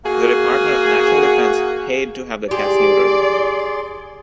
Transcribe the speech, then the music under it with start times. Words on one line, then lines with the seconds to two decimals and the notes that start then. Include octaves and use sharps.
The Department of National Defense paid to have the cats neutered.
0.05 A#3 F#4 G#4
2.51 G4 G#4 D5 C6